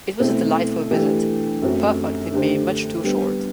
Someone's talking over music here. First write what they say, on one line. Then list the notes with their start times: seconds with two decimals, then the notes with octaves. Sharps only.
It was a delightful visit; perfect in being much too short.
0.19 B2 A3 C4 E4
0.91 E3 A3 D4 G4
1.62 F#2 F#3 A3 C4 F#4
2.32 D3 A3 D4 G4 C5
3.04 G3 B3 D4